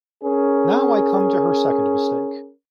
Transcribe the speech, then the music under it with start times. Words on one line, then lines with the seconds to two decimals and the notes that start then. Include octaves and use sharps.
Now I come to her second mistake.
0.24 C#4 G#4 A#4